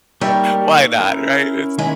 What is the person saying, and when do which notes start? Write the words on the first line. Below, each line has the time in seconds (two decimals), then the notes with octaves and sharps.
why not, right? It's
0.21 G3 A#3 D#4 A#4 C#5 E5
1.00 C#4 E4 A#4
1.78 D#3 G#3 A#3 C#4 E4